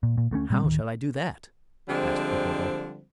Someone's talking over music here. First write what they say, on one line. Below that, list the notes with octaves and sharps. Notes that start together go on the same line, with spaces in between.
"How shall I do that?" asked Popopo.
A#2
A#2
D2 A3 A#3 C#4
A#2 G3 C4
D1 D#3
D3 F3 G3 G#3 C4